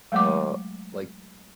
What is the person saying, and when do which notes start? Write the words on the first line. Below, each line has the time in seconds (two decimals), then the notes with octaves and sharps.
Uh, like
0.12 F#3 G#3 A3 G5 D6